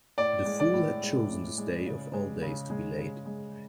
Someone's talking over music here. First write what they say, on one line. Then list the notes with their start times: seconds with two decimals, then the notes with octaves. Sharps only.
The fool had chosen this day of all days to be late.
0.18 A2 D5
0.45 G#3
0.60 D5
0.74 A2
1.02 G#3
1.30 A2
1.58 G#3
1.86 C#3
2.13 G#3
2.42 C#3
2.70 G#3
2.98 C#3
3.26 G#3